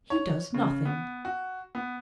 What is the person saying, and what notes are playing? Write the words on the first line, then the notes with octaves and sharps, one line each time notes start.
He does--nothing.
C#5
C#3
B3
F#4
B3